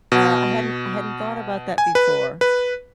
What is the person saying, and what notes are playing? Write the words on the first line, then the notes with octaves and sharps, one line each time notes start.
Uh, I hadn't I hadn't thought about that before.
B2
G#5
B4
B4